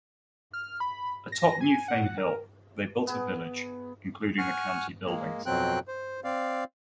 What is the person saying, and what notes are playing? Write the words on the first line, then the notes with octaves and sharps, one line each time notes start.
Atop Newfane Hill, they built a village, including the county buildings.
F6
B5
A#6
G#5
F#5
A#4
B3 G#4
F#5 G#5 C#6 F6
G#3 A#3
F2 B2 F#3 C4 G5 F#6
C5
C4 D5 F5